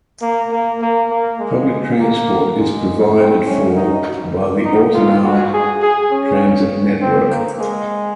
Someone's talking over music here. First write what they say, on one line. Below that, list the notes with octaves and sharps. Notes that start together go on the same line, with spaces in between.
Public transport is provided for by the Ortenau transit network.
A#3
A#3
A#3
A#3
G#3
A#3
G#3
C4
C#4
D#4
D#4
F4
F#4
G#4
G#4
C#4
C4
A#3
G#3